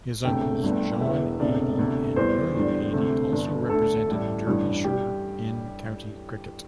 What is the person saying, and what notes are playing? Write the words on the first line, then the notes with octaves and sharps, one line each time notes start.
His uncles John Eadie and William Eadie also represented Derbyshire in County Cricket.
E1 D2 C3 A3 G5
G1 G2 D3 A3
E1 E2 E3 E5
E1 D2 C3 A3 D5
D2 C3 A3
E2 E3 G3 C5
E2 D3 G3
D2 C3 A3
G1 G2 D3
D2 D3 A3 A4
A1 A2 G3
A1 G2 G3
G3 G4